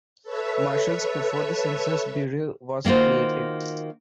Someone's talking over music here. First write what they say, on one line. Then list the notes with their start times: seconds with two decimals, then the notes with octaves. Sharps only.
Marshals before the Census Bureau was created.
0.23 A4 B4 C#5 E5
2.85 D#3 A#3 F4 F#4 C5